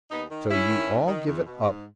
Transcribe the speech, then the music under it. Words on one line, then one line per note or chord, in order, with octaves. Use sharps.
So you all give it up?
D#2 B3 D#4
D#3
G#2 C#4 E4
D#3
G#2
D#3
E2
B2
G#2